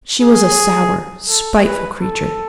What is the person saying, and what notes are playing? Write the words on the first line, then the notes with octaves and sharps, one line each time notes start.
She was a sour, spiteful creature.
G#4
A4
B4
A4